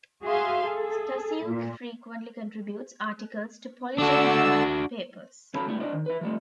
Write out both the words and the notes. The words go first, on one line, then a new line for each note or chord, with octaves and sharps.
Stasiuk frequently contributes articles to Polish and German papers.
F#4 G#4 E5 F5 C6
G#4 A4
A#2
D3 D4 F#4 A5 E6
F#2 C#3 F#3 A4 B5
C#2 G3 A3 E4
D4 C5 D5 D#5
D#3
E4 B4
F3 G3 A3